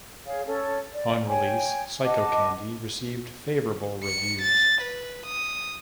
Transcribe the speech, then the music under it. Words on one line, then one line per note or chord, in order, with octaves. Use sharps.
On release "Psychocandy" received favourable reviews.
G#4 C#5 F5
C#4 A4 C#5
D5
C#5 G5 G#5
D#5 F#5 A5 D6
C#7
A6
B4
D#6